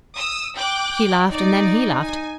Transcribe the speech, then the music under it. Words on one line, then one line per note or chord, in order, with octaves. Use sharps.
She laughed and then he laughed.
D#6 E6
G5 D6 F#6
D#4 D5
G#5